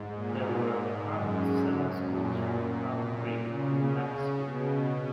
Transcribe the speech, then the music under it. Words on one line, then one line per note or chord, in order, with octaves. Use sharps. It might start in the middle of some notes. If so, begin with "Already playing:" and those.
There were apparently seven schools from Thumb Creek to Macksville.
Already playing: G#2
A#2
G#2
F#2
F#2
A#2
C#3
C#3
B2